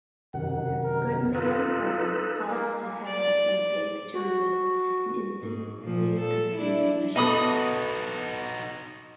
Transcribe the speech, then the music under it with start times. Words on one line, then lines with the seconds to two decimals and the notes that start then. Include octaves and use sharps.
Goodman Brown calls to heaven and Faith to resist and instantly the scene vanishes.
0.34 F#2 C3 D#3 F#5
0.84 A#4
1.35 D#4 F4 A4 B4
2.50 A#3
3.07 D5
4.13 F#4
5.41 G#2
5.82 A#2 F3
6.20 A4
6.55 D4 E4
7.16 B3 D#4 F#4 A4 D#5 B5 D#6